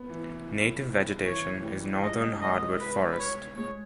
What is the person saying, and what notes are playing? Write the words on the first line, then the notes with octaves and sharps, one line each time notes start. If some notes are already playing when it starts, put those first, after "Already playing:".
Native vegetation is northern hardwood forest.
Already playing: B3
E3
E3 C#5
E3
G3
G#3 D#5
D#5
B4
B4
C#5
G#3 C#5